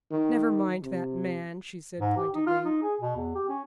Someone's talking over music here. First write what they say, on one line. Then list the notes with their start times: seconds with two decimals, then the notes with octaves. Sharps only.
"Never mind that man," she said pointedly.
0.11 D#3
0.83 C3
2.00 G#2
2.17 G4
2.34 D#4
2.47 F4
2.65 D#4
2.82 G#4
3.01 B2
3.16 E2
3.35 G4
3.49 C#4